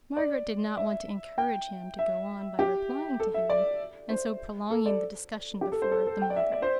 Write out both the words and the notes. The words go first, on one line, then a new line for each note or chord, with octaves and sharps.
Margaret did not want to encourage him to go on by replying to him, and so prolonging the discussion before the mother.
D5
E5
G5
E5
G4
A4
E5
D5
C5
A4
D5
G4
A4
C5
A4
A4
G5
D5
E5
D5
C5